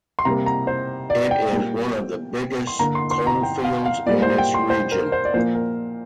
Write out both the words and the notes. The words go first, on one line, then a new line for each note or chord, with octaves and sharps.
It is one of the biggest coal-fields in its region.
C6
C3 G3 A#3 A#5
A#5
C5
D5
G5
A#2 G3 A#3
C6
D3 A#3 A#5
C6
C6
A#5
G5
F5
F5
A#2 G3 A#3 D5
C5
G5
C6
C5
A#4
C5
D5
A#2 F3 A#3 C5
A#4